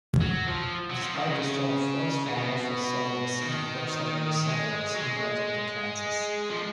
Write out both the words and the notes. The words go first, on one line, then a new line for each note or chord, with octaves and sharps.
Despite this show of force, far more free-soilers than pro-slavery settlers migrated to Kansas.
F#3
F3
F#3
F3
D#3
C#3
C#3
B2
D#3
G#3
F#3
G#3
F3